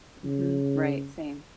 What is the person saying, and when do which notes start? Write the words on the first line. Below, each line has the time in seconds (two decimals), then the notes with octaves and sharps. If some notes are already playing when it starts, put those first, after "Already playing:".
Mhm. Right. Same.
0.24 C#3